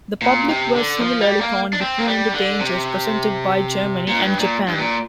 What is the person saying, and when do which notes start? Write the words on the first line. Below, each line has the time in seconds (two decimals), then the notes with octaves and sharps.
The public was similarly torn between the dangers presented by Germany and Japan.
0.22 A#2
0.49 C3
0.76 D3
1.01 F3
1.21 G3
1.41 A#3
1.73 D4
1.81 C4
1.99 A#3
2.08 G3
2.34 D3
2.60 C3
4.08 A#2
4.19 G2
4.39 A#2
4.68 G2
4.79 A#2